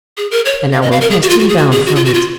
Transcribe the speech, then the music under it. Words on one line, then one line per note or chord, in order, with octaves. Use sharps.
"And I will cast him down from it."
G#4
A#4
C#5
F5
D#5
F5
A#4
G#4
F#4
F4
F#4
G#4
F#4
G#4
F#4
F4
F#4
F4